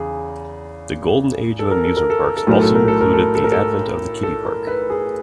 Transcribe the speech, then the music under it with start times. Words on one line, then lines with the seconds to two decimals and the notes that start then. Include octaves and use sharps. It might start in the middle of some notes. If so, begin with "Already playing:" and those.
The Golden Age of amusement parks also included the advent of the kiddie park.
Already playing: E2 C#3 G#4
1.59 A4
1.71 A#4
1.84 A4
1.97 A#4
2.10 A4
2.24 A#4
2.37 A4
2.47 B1 A2 F#3 A3 A#4
2.61 A4
2.75 A#4
2.88 A4
3.01 A#4
3.14 A4
3.35 A4
3.44 A#4
3.52 A4
4.23 A4
4.45 A#4
4.67 B4
4.90 G#4